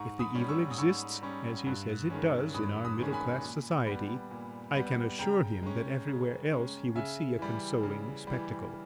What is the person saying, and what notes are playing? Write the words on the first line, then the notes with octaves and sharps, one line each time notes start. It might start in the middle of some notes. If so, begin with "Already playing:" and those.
If the evil exists, as he says it does, in our middle-class society, I can assure him that everywhere else he would see a consoling spectacle.
Already playing: G#2 A#5 C#6
B5 D#6
G3 C#4
C#6 E6
D#6
G#2 C#6 E6
G3 C#4
G2
D#3 G#3 C#4
G2 B5 D#6
B5 D#6
D#3 G#3 C#4
G#5 B5
A#2
G3 B3
A#2
G3 B3
C#3 G5 A#5
G#3 C#4
C#3
G#3 C#4
C#3 E5 G#5
E3 G3
C#3
E3 G3